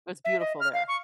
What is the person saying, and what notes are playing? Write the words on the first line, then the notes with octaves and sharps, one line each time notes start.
It's beautiful there.
E5
D#5
F6
F5
C#6